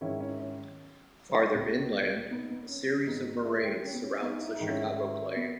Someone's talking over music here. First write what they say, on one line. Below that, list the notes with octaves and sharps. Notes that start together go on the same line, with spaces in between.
Farther inland, a series of moraines surrounds the Chicago Plain.
G#2 D#3 C#4 E4
C#4 E4
C#4
C#2 B2
B3 D#4
B3
C#4
C#4
G#2 D#3 B3 D#4
E4 G#4
G4 A#4
C#4
B3
C#4
E4
B3 D#4
E4
D#4
G#2 D#3
C#4 E4
B3